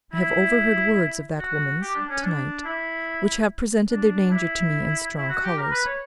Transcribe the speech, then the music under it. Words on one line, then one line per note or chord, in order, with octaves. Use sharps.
I have overheard words of that woman's, to-night, which have presented their danger to me in strong colours.
E4
F#4
G4
D4
C#4
D4
E4
D4
E4
E4
F#4
G4
A#4
B4
C#5